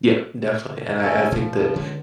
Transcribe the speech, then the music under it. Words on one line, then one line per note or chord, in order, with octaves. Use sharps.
Yeah. Definitely, and I I think that
D2 C#4 A4 G#5
F2 A#2 F3 D4
D2 G2
C#2 D3